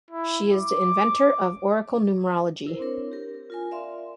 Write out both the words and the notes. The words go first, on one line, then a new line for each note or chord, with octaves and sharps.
She is the inventor of Oracle Numerology.
E4
D6
E4 A#4 C5
C4 D4 A#4 C#5
G4 A#4
A#4
F4 A#4 G#5
D5 E5 F5 C6